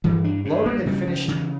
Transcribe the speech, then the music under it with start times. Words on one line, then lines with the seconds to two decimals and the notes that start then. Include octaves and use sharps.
Loder had finished.
0.04 G2 E3
0.24 D4
0.45 G2
0.66 A#3
0.86 C#3 G3
1.07 F3
1.28 C#3 E3